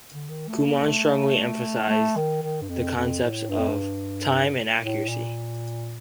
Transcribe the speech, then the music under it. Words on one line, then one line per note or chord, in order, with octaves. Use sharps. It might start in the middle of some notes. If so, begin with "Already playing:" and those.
Kumon strongly emphasised the concepts of "time" and "accuracy".
D3
D#3
A3
A#3
A3
A3
D#3
D#3
G2
F2
F2
A2
G2
F2
G2
A2
A#2